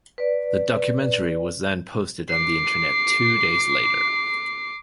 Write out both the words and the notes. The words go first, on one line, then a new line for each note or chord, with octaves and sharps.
The documentary was then posted on the internet two days later.
B4 D5
D6 C7